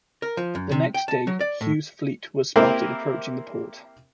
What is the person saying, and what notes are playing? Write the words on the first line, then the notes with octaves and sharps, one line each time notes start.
The next day, Hughes' fleet was spotted approaching the port.
A#4
F3
F#2
C3
G5
A5
F#3
D5
A2
A#3 C4 E4 G4 A#4